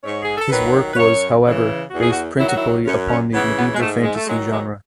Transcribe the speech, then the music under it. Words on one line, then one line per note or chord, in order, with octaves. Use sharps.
His work was, however, based principally upon the medieval fantasy genre.
G#2 C#5
G#4
A4
D#3 F#3 B4
B4
F#2 C#5
C#3 E3
E2 F#4
G#4
F#4
D#3 F#3 E4
F#4
E4
F#2 C#4
C#4
C#3 E3 B3
B3
G#3
G#2 A3
G#3
A3
D#3 F#3 G#3
G#3